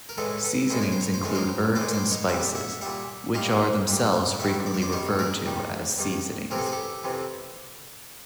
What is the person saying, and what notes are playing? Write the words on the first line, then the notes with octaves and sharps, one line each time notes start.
Seasonings include herbs and spices, which are themselves frequently referred to as "seasonings".
A#4
A2 E3 G#3 A4 B4
A4 B4
A2 E3 G#3 C5
C#5
C5
C#5
C5
A2 E3 G#3 C#5
A#4 C5
A2 E3 G#3 C5 D5
C5 D5
C#5 D#5
A#2 G3 D5 E5
E5 F#5
A#2 G3 E5 F#5
A#2 G3 D#5 F5
A#2 G3
G2 D#3 G3 E5 F#5
D5
C#5
C5 D5
G2 D#3 G3 C#5 D#5
G#4 A#4
G2 D#3 G3
G2 D#3 G3
F2 C3 E3 A#4
A4
G#4
G4 A4
F2 C3 E3